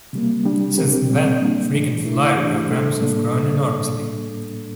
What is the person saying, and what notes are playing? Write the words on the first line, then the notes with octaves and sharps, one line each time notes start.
Since then, frequent-flyer programs have grown enormously.
C3 G3 A#3
C3 G3 D4 G4
F3 C4 G4 A#4
A#2 G3 C4
G3 A#3 D4
A2 E3 A3 D4
A3 E4 A#4
E3 A3 D4 G4
A2 G3 D4 A4
A2 G3 A#3 D4 A4